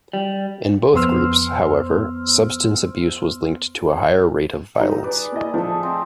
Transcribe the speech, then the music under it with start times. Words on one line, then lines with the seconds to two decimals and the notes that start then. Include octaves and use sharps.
In both groups, however, substance abuse was linked to a higher rate of violence.
0.13 G3
0.94 F2 B3 C5 C6 E6 F6
4.79 G3 D#4 A#5
5.04 G#4 B4 D5
5.32 A#3 E4 D#5
5.54 F3 A3 G#4 A4
5.83 C4 D#5